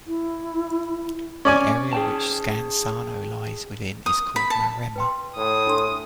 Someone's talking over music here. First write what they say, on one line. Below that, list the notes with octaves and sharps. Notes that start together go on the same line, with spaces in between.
The area which Scansano lies within is called Maremma.
E4
C#4 D5 G#5
G#4 G5 A5
D#6
B5
A5
B4 G5 C6
A2 D#6
D4 A4 C6